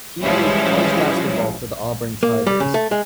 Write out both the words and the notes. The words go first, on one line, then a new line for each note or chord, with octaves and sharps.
He played college basketball for the Auburn Tigers.
E3 F3 G3 G#3 C#4 E4
A#3
G3
C#3
A3
G#3